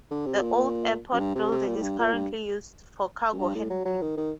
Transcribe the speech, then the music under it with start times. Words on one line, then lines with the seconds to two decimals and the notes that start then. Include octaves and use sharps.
The old airport building is currently used for cargo handling.
0.11 D3
0.26 C3
0.42 A#2
1.13 F#2
1.20 G2
1.35 C3
1.52 C3
1.68 A#2
1.76 A2
1.82 G2
1.99 A#2
2.13 G2
3.32 F#2
3.38 G2
3.55 A2
3.70 F#3
3.85 F#3
4.02 D#3
4.17 D#3